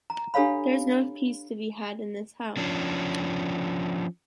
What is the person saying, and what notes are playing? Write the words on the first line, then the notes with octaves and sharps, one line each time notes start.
There’s no peace to be had in this house!
A#5
D4 G4 A4 C#5 F5 B5
F3 C#4 D4